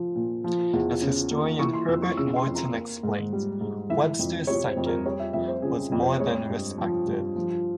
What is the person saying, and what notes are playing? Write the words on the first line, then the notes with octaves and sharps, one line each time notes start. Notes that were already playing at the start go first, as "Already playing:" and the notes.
As historian Herbert Morton explained, "Webster's Second" was more than respected.
Already playing: F3
A#2
F3
E2
C#3
A#3
E3 C#6
C6
F2 E6
C#6
C#3 E6
C6
F2
A#5
A#3
G#2
G3
G#2
E3 E5
F2
C3 C#5
C5
F2
A#4
G3 C#5
E5
F2 E5
C5
C#3 G#4
F2
C5
G#3 C#5
G2
F3
G2
F3